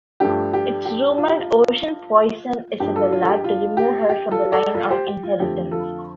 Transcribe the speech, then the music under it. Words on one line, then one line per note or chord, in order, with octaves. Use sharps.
It's rumored Oshin poisoned Isabella to remove her from the line of inheritance.
G2 F3 A3 D4 G4
G4
G4
F4
G4
F4
G2 F3 D4 G4
F4 A4
F4
A4
G4
F4
G4
G4
F4 A4
A4 D5
F4 A4
G4 C5
G4
F4
F2 D3 A3 G4
F4 A4